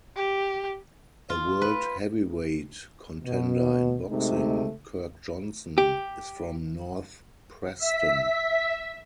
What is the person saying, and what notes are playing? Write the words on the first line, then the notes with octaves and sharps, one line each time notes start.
A World Heavyweight contender in boxing, Kirk Johnson, is from North Preston.
G4
F4
B4
B2
C3 G#3 A3 D#4
G4
E5 B6